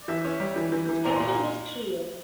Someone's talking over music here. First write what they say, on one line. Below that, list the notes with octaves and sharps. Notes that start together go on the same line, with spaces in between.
Its capital was Trier.
E3 E5
C#4
G3
E3
E3
E3
A#2 A#5
A#2 C6
A#5